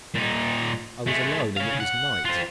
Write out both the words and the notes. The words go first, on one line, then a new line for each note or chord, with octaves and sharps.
I was alone and it was night.
A#2 D#4
G#3 A3
C#4 F5
F#5
C4 F4